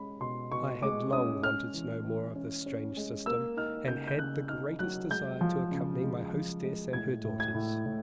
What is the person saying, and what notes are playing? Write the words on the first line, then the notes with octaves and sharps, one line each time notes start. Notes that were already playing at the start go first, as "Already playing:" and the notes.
I had long wanted to know more of this strange system, and had the greatest desire to accompany my hostess and her daughters.
Already playing: G#3 C#4 B5
B2 C6
B2 C#6
G#3 D6
C#4 D#6
C#4 F6
E3
E3
C#4
C#4
G#3
A#3 E6
D#4 F6
C#3 G6
G6
C#3 F#6
D#4 F6
F#3 F#6
G#3 G6
F3
C#3
G#3
F3
G#3
A2 G#6
A2
G#6
A2
A2